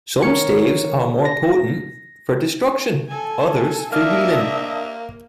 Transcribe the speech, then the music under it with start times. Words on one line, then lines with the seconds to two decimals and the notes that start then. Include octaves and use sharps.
Some staves are more potent for destruction; others, for healing.
0.23 D#3 A#4 C#5 C#7
1.25 A#6
3.08 A4 G#5
3.92 A#3 D4 D#5 E5 F6